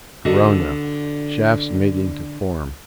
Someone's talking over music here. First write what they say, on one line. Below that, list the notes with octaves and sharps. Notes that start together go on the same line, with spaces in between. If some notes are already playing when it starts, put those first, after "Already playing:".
Corona: shafts meeting to form.
D3 F#4 D#5